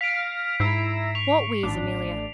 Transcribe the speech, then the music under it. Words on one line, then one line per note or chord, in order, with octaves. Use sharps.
"What ways, Amelia?"
F5 F6 A#6 B6 D7
G#2 E4 A#5 E6 C7
C#6 F7
A1 D4